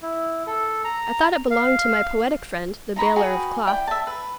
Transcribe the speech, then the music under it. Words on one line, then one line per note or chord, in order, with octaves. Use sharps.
I thought it belonged to my poetic friend, the baler of cloth.
E4
A4
A#5
F5
D#4 A#5 B5 C#6
F#4 G#4 B4 G5
E4 D5 G5
E5 A5
B4